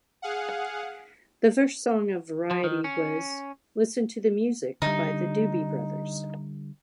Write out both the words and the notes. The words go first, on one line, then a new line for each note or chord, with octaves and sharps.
The first song on "Variety" was "Listen to the Music" by The Doobie Brothers.
G#4 F5 F#5
F3
D#3
C#4
D3 G3 D#4